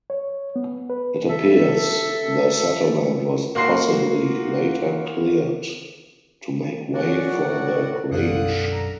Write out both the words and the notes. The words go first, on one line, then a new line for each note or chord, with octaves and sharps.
It appears the settlement was possibly later cleared to make way for the grange.
C#5
B3
B4
A4 E5
A#3 F#4 C6 C7
C#4 F#4 D5 F#5
A2
B1 F#2 D3 F5 D#6 F#6
A#5